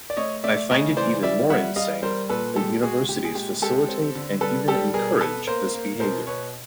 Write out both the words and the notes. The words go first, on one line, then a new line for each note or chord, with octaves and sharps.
I find it even more insane that universities facilitate and even encourage this behaviour.
D5
A3 C#5 D#5
A3 D5 E5
C#3 C#5 D#5
E3 C5 D5
G3 D5 E5
G3 E5 F#5
G3 D#5 F5
G3 A#4 C5
A#2 A4 B4
G#3 G4 A4
G#3 F#4 G#4
A#2 G4
G#4
G#3 G4
G#3 G4 A4
C4
D3
G3 A4 B4
G3 G4 A4
B2 G#4 A#4
B3 A4 B4
A#3 A#4 C5
A#3
B2 A#4 C5
B2 B4 C#5